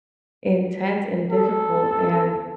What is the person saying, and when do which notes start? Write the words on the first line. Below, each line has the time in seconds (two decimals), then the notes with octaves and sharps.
intense and difficult, and
1.31 A4